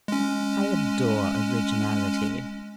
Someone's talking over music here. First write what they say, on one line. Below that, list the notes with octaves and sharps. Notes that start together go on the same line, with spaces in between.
I adore originality.
G#3 C#4